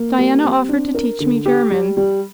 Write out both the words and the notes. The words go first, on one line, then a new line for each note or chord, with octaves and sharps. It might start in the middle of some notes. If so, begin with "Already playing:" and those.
Diana offered to teach me German.
Already playing: A#3
G3
C4
D4
A#4
D3
G4
G3
G3